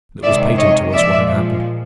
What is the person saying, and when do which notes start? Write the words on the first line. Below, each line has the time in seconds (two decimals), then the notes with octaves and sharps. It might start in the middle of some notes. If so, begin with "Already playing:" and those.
It was patent to us what had happened.
0.22 C3 D#3 G#3 D5 E5
0.57 C#5 D#5
0.92 A#2 F3 G#3 D5 E5